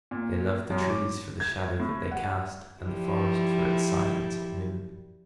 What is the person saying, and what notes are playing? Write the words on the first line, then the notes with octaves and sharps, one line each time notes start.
They loved the trees for the shadow that they cast, and the forest for its silence at noon.
A#2
F#2
D6
G#6
A2
F#5
F3 G3 E4